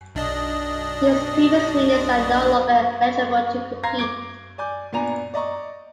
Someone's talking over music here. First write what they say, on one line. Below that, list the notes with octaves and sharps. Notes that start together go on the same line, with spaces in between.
These previous winners are no longer eligible to compete.
B1 D4 D#5
F5 A#5 C6 G#6 A#6 C7
D6 G#6 D7
D5 G#5 D6 G6
A#2 B3 D4 G#5 A#5 F7
D5 D#5 A#5 C#6